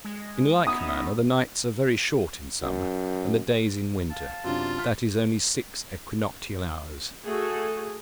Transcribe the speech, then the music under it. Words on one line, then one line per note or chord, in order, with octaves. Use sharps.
In like manner the nights are very short in summer, and the days in winter, that is, only six equinoctial hours.
G#3
B3 C#4 D#4 E5 D#6
F#2
F5 A5
F#2 C3 D4 F4
F6 B6
A3 F#4 G#4 A4